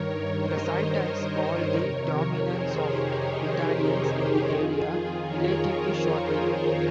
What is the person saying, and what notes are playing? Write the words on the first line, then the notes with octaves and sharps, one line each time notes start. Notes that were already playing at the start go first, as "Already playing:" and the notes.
The site has called the dominance of Italians in the area, relatively short lived.
Already playing: G2 D#3 A#4 C#5
C5 D#5
F2 C3 D#3 A#4 C#5
A#4 C#5
G#4 C5
G4 A#4
D#4 G4
F2 D#3 F4 G#4
A#4 C#5
G#4 C5